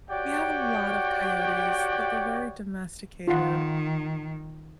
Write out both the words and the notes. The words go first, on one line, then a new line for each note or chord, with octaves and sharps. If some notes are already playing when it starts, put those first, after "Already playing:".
We have a lot of coyotes, but they're very domesticated.
F#4 G4 C#5 D5 F#5 G5
D#3 F4 F#5